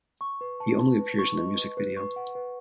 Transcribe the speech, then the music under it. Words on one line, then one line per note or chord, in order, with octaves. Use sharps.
He only appears in the music video.
C#6
B4
A5
A5
B4
C#6
D#5
B4
B4
C#6
F#5
B4